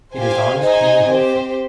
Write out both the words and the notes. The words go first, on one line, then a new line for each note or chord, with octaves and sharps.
It is honest, clean, and wholesome.
G4 C5 F5 G#5
D#4 G#4 C5 D#5 G#5
C4 G4 C5